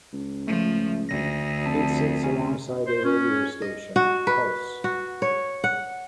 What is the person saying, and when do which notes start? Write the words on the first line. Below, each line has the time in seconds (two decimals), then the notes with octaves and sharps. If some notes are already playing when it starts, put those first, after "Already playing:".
It sits alongside a radio station, Pulse!
0.13 C#2
0.47 F3 A3
1.09 D2 A#6
1.66 F2 A5
2.24 C#4
2.87 C5
3.04 C#4
3.62 D#5
3.96 F#4
4.27 B4
4.84 F#4
5.22 C#5
5.64 F#5